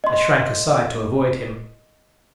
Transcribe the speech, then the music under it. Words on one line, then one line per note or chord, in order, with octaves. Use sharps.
I shrank aside to avoid him.
D#5 C6